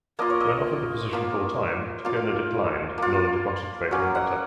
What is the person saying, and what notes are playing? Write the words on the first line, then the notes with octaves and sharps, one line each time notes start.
When offered the position full-time, Tokona declined in order to concentrate on Weta.
A#3 F4 D#5
C#5
D#5
A#3 F4
A#3 F4 F5
A#3 F4
F#3 A#3 C#4
F#5